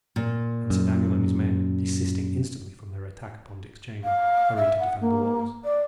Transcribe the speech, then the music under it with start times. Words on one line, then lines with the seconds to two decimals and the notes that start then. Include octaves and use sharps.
And Sir Daniel and his men, desisting instantly from their attack upon Dick's chamber, hurried to defend the walls.
0.16 A#2
0.70 F#2
4.04 F5
4.56 E5
4.79 F#5
5.01 A#3
5.64 D5